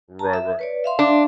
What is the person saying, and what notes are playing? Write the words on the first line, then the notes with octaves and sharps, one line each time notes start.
Right, right.
A5 A#5
E5
B4 C#5 D5
E5 F5 C6
D4